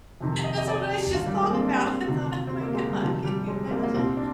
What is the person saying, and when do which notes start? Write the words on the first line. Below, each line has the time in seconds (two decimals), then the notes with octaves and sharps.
That's what I just thought about. I thought, "Oh my God, can you imagine?"
0.20 F2 C3 D#3
0.44 D#5
0.58 D#5
0.68 D5
0.91 G4
1.14 G2 D#3 F4
1.26 G3
1.35 G#3
1.43 A#3
1.52 C4
1.61 D4
1.85 C4
2.07 D2 C3 D#3
2.47 C4
2.61 A#3
2.74 G#3
2.88 G3
3.01 D2 C3 D#3 F3
3.24 G3
3.48 G#3
3.66 C4
3.71 A#3
3.83 A#3
3.94 C2 A#2 C4
4.17 D4